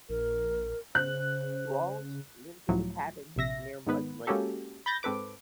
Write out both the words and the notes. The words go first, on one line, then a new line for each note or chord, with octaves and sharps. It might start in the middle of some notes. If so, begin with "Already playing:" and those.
Rawls lived in a cabin near Mud Lake.
A#1 A#4
C#3 C5 F#6
C#2 A2 F3 F#3
A#1 C3 E5 A#6
G#2 D#3 B3 B4
G#3 A#3 C#4 F#4 G4 A4
B5 G6 A6 A#6
G#2 C4 A4 B4 D6